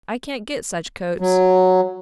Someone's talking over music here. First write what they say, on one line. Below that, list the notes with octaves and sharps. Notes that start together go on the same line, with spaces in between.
I can't get such coats.
F#3